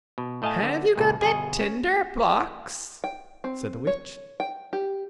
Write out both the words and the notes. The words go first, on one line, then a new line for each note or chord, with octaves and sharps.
"Have you got the tinder-box?" said the witch.
B2
A2 A3 D#5 F5 G#5 A5
D3 B3
C#2 A#2 G#3
G1 B2 G#4 D#5 G#5
C#4
G5
C4
C#5
G5
G4